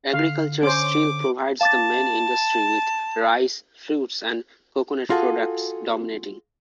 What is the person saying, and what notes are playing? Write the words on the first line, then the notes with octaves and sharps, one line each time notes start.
Agriculture still provides the main industry with rice, fruits, and coconut products dominating.
D3 F5
C#4 C5 D6
F5 A5 D6 A6
F4 F#4 G#4 A4